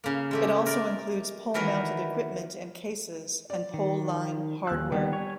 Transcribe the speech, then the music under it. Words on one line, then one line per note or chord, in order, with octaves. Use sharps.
It also includes pole-mounted equipment and cases, and pole-line hardware.
C#3 A#3
G#3 A3 G4
A#4 D5
D#3 E3 F#3 A#4 B4
D5
D#3
D#1 E6 F#6
D#3 G3 B3
C#5 G#5